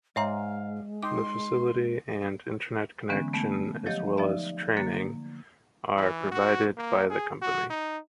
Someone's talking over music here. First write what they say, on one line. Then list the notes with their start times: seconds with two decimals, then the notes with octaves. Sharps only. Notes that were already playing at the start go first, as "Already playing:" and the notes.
The facility and internet connection as well as training are provided by the company.
0.16 G#2 G#3 C#5 E5 F5 A#5
1.03 D#4 G5 C6 D6
3.09 D3 E3 G#3 B3 C#4
3.33 G#3 A3 B3
3.86 F3 F#3 G4 C#5 D#5 G6
4.17 F3 D#4 D5 E5
4.77 D3 A#3 A6
5.96 E3
6.31 F#4
6.77 A#3
7.10 G#4
7.42 F#4
7.70 D#4